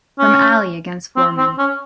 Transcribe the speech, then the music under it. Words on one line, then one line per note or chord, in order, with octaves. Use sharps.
From Ali against Foreman.
C#4
C4
C4
C#4